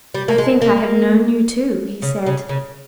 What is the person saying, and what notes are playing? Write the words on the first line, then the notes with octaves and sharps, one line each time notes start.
"I think I have known you, too!" he said.
G3
A#3
G#3
A#3
C#3
C#3
C#3